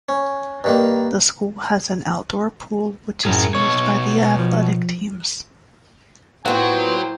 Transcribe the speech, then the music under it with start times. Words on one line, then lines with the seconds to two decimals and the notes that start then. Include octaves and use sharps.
The school has an outdoor pool which is used by the athletic teams.
0.09 C#4
0.64 G2 D#3 A#3
3.25 F#2 A2 G#4 A#4
3.55 B2 C#5 C#6
4.39 F3
6.46 A2 F#3 A#3 B3 F4 C5 F#5 G5